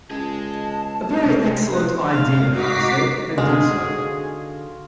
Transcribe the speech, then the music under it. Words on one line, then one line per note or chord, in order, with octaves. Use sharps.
"A very excellent idea," I said, and did so.
C#2 G#4 D#5 A5
C3
B4
F5
D#4 F#4 D6 B6 C7
D3 G#3 D#4 F#4 G#4 F5 C6